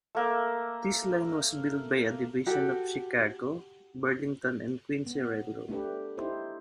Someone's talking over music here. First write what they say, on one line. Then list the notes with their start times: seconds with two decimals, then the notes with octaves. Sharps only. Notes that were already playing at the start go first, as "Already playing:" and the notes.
This line was built by a division of the Chicago, Burlington and Quincy Railroad.
0.15 A3 A#3 E5
2.46 F#4 G4 A4
5.06 B3
5.68 A3 D4 G4 B4
6.17 D#4 E4 G4 C5